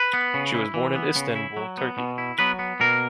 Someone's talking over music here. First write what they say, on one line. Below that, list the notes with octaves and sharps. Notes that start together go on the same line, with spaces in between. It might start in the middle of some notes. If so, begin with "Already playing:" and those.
She was born in Istanbul, Turkey.
Already playing: B4
B3
C#3
E4
E3
B3
C#3
E4
F#3
B3
B2
E4
F#3 B3 B4
B3
B2 A#3 A#4